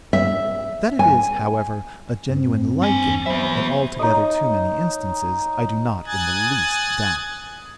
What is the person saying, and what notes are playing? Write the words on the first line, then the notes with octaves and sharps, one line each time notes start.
That it is, however, a genuine liking, in altogether too many instances, I do not, in the least, doubt.
E5
G#5
G2 C4
D4 G#5
F#3 B3 C5 E5 B5
D#4 C#5 D#5
G#5 D#6 F#6 G#6 A6